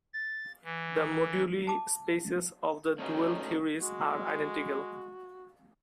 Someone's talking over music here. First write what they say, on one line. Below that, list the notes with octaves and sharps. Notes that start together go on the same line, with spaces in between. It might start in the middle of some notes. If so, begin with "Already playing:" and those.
The moduli spaces of the dual theories are identical.
A6
E3
A5 D6
A3 C#4 D#4 E4 F#4 G#4
G#3 F#4